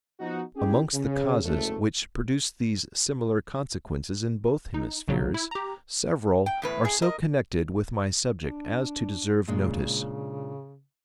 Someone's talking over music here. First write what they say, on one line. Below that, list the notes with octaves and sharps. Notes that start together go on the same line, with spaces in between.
Amongst the causes which produce these similar consequences in both hemispheres, several are so connected with my subject as to deserve notice.
F3 B3 D#4 F#4
C#4 E4 G4 G#4
C#3
F#1 A3
D#4
A#1 C#3 F#3
E4
G4 A#5
G5
E2 A2 B4
G#4
A#4 D#5
D4
A#2 C#3 G#3 D4